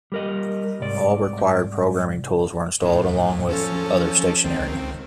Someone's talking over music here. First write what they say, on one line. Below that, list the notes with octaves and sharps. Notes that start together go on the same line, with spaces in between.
All required programming tools were installed, along with other stationery.
G3 A#4 D#5
C2 G#2 D5
E2 A2
F3 C#4 A4
C#2 D#3 C4